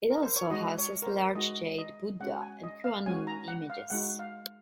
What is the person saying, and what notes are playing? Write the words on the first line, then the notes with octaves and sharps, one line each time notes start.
It also houses large jade Buddha and Kuan Yin images.
A#4
C5
C#5
G#3 D#4 F#4 D#5
C#5
A#4
C5
G#3 D#4 F#4 D#5
D#5
G#3 C#4 F#4 F#5
G#5
D#5
F5
G#3 C#4 F#4 G#5
A#5
F#5
F5
G#3 D#4 F#4 F#5
F5